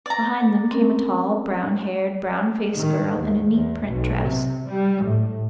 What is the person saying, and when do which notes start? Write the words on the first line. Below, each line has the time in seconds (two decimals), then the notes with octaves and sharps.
Behind them came a tall, brown-haired, brown-faced girl in a neat print dress.
0.06 D5 A#5
0.71 C4 C#4 A#4
2.75 D#3
3.19 D#2
3.51 E2
3.86 B1
4.25 C3
4.69 G3
5.04 A2